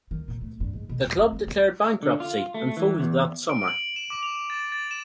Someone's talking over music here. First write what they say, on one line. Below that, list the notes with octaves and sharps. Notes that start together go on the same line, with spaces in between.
The club declared bankruptcy and folded that summer.
D#3
A#2
A3
G2
G#2
B2
E2
C4
G#3
B3
D3
F4
A3
E3
E2
D7
F#7
E7
D6
F7
A6
A6
E7